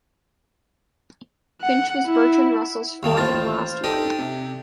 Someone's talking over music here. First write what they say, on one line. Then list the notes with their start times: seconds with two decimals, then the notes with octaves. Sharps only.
Finch was Bertrand Russell's fourth and last wife.
1.62 F#5
2.06 E4
3.03 D#2 D#3 G3 F5 A5
3.17 A1 F4 C5 F6 A6
3.84 D4 D#4 G4 A4
4.19 C3